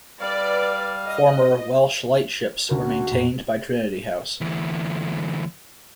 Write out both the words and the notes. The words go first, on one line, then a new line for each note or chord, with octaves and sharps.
Former Welsh lightships were maintained by Trinity House.
G3 B4 D5 F5
D#5
D2 C#4 F#4 A#4
F2 A#2
D2 E3